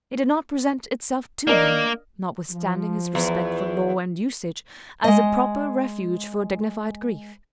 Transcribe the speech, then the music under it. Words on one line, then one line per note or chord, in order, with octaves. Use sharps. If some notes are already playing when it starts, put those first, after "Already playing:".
It did not present itself to him, notwithstanding his respect for law and usage, as a proper refuge for dignified grief.
A#3 D4 A#4 D#5
F3
E2
G#3 D#5